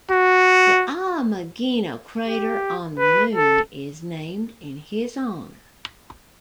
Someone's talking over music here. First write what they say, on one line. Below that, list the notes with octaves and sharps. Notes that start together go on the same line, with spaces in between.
The Ameghino Crater on the Moon is named in his honor.
F#4
G4
B4
A4